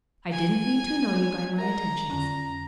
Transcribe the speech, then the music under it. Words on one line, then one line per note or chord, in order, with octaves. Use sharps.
I didn't mean to annoy you by my attentions.
G#5
A#4 E5 F#5 A#5
F2 D3 C#4